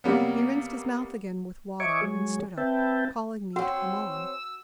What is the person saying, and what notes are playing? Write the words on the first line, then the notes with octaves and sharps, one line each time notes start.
He rinsed his mouth again with water, and stood up, calling me to come on.
C3 F#3 G3 A#3 B3
C#5 D#5 E5 G#5 C#6 D6
F#3 G#3 G#4 C#5
C4 B4 E5 G5 A5
C4 C#4 F#4 F#5 E6